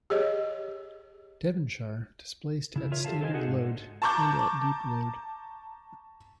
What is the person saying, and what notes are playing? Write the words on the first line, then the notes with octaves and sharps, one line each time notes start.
"Devonshire" displaced at standard load and at deep load.
G4 G#4 C#5 D#5
C#3 E4
F4 A#4 C#5 E5
G4 A4 C#5 F5 A5
A4 A#4 C5 D#5 F5 G#5
D4 D#4 F#4 G#4 D#5 F#5
G#2
A5 A#5 C#6 D6 G6